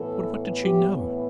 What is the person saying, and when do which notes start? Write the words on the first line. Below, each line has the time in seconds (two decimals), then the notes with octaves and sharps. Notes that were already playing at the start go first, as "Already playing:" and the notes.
"But what did she know?"
Already playing: A2 E3 B3 A4
0.63 G4